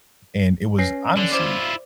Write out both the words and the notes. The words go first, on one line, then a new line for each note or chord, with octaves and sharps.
and it was honestly,
C#4 B4 A#6 C7
D3 D4 E7
E4 F4 C5 D5 D6